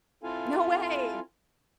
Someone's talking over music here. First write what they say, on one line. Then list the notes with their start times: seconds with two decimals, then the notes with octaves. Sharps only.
No way.
0.23 C4 E4 F4 A4 F5 G#5